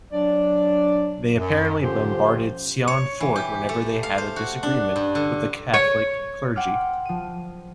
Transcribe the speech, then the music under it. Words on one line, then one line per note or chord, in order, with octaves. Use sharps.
They apparently bombarded Sion Fort whenever they had a disagreement with the Catholic clergy!
F#3 D4 D5
F#2
D3 F3 C#4 F4 G4 C5
C#5
E3
G4
A3
F5
C5
F#4
D4
G2
D3
C#5
F#5 G5 C6 D6 F6
F3 D#7